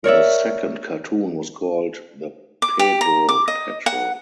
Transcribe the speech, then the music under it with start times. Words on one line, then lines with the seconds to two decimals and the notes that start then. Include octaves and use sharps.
The second cartoon was called "The Pedro Patrol".
0.04 A#4 C#5 D5 E5
2.62 D6
2.79 G4
3.01 A#5
3.29 D6
3.48 D#5
3.86 F#5